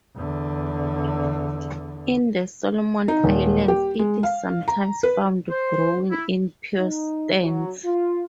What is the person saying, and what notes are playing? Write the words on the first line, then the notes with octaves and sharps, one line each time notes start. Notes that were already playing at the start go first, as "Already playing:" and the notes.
In the Solomon Islands it is sometimes found growing in pure stands.
E2 D3
D#4
D#1
G4
G#3
F5
A#5
B4
C5
E4
D#4
F#3
F4